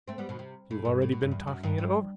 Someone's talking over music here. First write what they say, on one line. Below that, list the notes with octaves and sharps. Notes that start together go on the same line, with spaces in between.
You've already been talking it over!
A3 C4
G3 B3
B2 D#3
C3
A2
G2
A2
B2
G2
E2
F#2
G2
G2